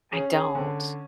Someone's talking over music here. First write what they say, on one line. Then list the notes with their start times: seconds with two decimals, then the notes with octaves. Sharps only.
I don't.
0.13 C#4 G#4
0.33 G#4
0.55 D3